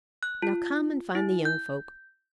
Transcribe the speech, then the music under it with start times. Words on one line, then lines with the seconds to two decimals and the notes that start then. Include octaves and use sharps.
Now, come and find the young folk.
0.23 F#6
0.42 F4
1.15 E4
1.45 G6